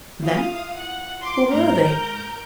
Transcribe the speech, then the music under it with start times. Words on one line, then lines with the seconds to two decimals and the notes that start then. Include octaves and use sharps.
"Them"? who were they?
0.22 E4 F4 F5 D#6
0.76 F#5
1.20 C6 D6
1.51 G#2 A#4 G6 C7